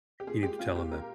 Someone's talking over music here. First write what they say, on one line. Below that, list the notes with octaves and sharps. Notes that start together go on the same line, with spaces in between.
You need to tell him that
G4
A#2 G#4
G#3 G4
G#3 F4
A#2 G4
A#2 A#4